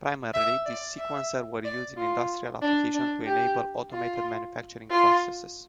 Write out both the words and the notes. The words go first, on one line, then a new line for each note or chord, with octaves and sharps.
Primarily, these sequencers were used in industrial applications to enable automated manufacturing processes.
E5
D5
E5
D5
F4
D4
D4
G4
F4
F4